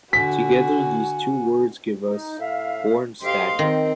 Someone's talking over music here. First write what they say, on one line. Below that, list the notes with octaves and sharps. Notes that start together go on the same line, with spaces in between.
Together these two words give us "Horn Stacket".
D3 F#4 G#5 B6
D#4
A2 E5 F5
D2 G4 D#5 F5 C6
D#3 C4